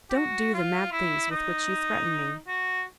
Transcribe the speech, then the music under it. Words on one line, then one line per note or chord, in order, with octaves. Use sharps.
Don't do the mad things with which you threaten me.
G4
F#4
F4
E4
D#4
F#4